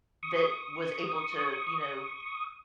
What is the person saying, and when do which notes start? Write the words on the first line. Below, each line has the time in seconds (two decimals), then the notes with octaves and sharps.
that was able to, you know,
0.23 C#6 D#6